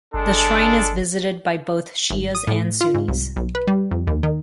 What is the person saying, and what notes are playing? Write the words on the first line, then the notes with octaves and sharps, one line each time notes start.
The shrine is visited by both Shias and Sunnis.
G1 G#3 D4 A4
G#1
D#6
A2
F4
G#2
C2
B1
B4
G3
F2
D#2
D#3